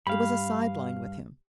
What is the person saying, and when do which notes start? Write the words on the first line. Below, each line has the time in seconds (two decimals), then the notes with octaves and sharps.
It was a sideline with Him.
0.07 G2 F5 B5